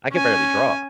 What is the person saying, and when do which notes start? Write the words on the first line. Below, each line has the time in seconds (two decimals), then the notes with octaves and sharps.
I can barely draw.
0.12 C#4 G#5